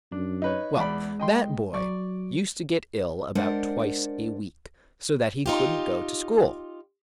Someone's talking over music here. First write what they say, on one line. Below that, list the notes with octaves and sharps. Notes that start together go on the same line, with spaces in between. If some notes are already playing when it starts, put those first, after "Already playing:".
Well, that boy used to get ill about twice a week, so that he couldn't go to school.
F#2 D4
D#4 B4 C#5
E2 G#3 D5 B5
D#5 G5 C6
F#3 D5 C#6
G#3 D4 A#4 C5 D5 F#5
D#4 F4 G4